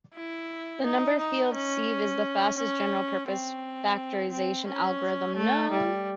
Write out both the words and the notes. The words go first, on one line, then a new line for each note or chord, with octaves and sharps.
The number field sieve is the fastest general-purpose factorization algorithm known.
E4
D#4
D#4
C#4
C#4
C4
C4
C#4
A3
G3